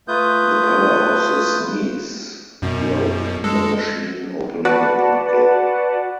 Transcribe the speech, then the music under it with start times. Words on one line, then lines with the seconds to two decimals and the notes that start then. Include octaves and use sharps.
The power of the sneeze broke the machine, opening a portal.
0.08 A3 F4 B4 D#6 G6
2.62 F#2 B2
3.44 G#3 A4
4.65 F#4 B4 D5 F#5 A5